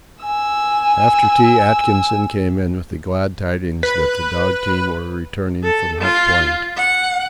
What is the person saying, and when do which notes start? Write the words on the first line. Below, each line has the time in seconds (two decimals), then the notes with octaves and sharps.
After tea Atkinson came in with the glad tidings that the dog team were returning from Hut Point.
0.24 G#5 E6
3.83 B4
5.64 A4
6.01 F4
6.77 F#5